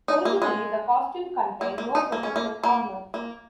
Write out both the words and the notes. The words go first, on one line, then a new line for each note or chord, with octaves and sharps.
Originally the costume contained no protective armor.
D#4
A#3
G#3
A#3
A#3
D#4
A#3
C#4
A#3
A#3
A#3